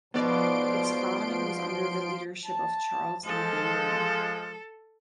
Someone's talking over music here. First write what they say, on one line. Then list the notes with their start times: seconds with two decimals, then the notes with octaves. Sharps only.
Its founding was under the leadership of Charles E. Bailey.
0.14 G#2 B2 F3 B3 D5 C6 D7
2.45 A5
3.24 F3 G#3 A4